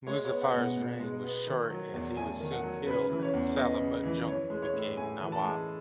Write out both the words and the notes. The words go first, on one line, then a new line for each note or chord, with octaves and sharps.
Muzaffar's reign was short as he was soon killed, and Salabat Jung became Nawab.
G#3 C#5
C#5
B3
F#5
B2
F#5
B2
G#3
B3
D#3
F#3
E2
A3 G#5
D#3
F#5
F#3
C#3 B4
E3
C#5
E2
B3 D#5
C#3
E3
E3 C#5
G#3
C#5
A2
A2 G#5
E3
A5
G#3